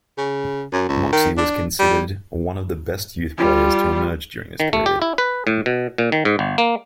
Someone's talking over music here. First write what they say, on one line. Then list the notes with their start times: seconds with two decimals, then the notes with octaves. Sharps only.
Moxey was considered one of the best youth players to emerge during this period.
0.18 C#3
0.72 F#2
0.88 C#2
1.12 D#3
1.37 D4
1.79 G3
3.38 G3 F4
4.60 D#3
4.73 A3
4.86 G4
5.02 E4
5.18 B4
5.47 A2
5.66 B2
5.98 A#2
6.12 D#3
6.25 G#2
6.39 G1
6.58 A#3